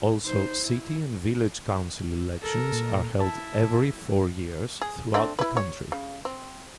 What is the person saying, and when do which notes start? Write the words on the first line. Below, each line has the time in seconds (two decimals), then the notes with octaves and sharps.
Also City and Village Council elections are held every four years throughout the country.
0.25 D#4 C5
0.62 E4
2.41 A4 A#4
2.73 A#2
3.20 E4 A5
4.81 G#4
5.14 A3 C4 D4
5.39 E4 B4
5.57 C#5
5.92 C#3
6.25 C4